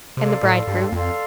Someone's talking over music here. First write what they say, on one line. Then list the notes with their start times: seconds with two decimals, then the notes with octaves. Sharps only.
"And the bridegroom?"
0.17 C3 A4 D5 F5 C6
0.43 A2
0.67 G2
0.92 F2 A4 D5 F5 C6